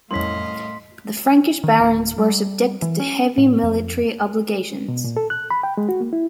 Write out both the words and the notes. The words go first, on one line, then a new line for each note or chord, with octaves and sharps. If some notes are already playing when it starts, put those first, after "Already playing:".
The Frankish barons were subjected to heavy military obligations.
C2 A2 C#4 D#5 F5 C6 B6
D#3
D1
G3
E3
C#4
A2
F2
B2
A#2
A4
F#6
B5
G5
G#3
F#4
A#3
E4